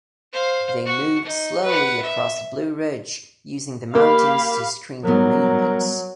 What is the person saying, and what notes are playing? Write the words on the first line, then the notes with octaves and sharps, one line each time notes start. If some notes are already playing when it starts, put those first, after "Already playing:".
They moved slowly across the Blue Ridge, using the mountains to screen their movements.
C5 F5
F#4
D#4
B4 F#5
E5
A#3 G4 F5 B5
F#3 G3 B3 A#4